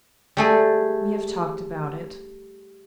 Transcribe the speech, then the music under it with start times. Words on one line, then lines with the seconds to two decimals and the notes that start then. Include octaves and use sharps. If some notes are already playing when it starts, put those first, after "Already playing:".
We have talked about it.'
0.37 G3 A3 G#4